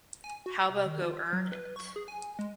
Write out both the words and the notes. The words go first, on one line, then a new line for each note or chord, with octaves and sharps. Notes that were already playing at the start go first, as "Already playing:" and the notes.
How about go earn it?
G#5
F#4
C3
D#3
F4
F#3
B4
C#6
G#4
G#5
G#3